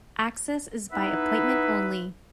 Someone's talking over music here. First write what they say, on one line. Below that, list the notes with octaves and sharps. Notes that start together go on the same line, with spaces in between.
Access is by appointment only.
B3 D#4 E4 B4 E5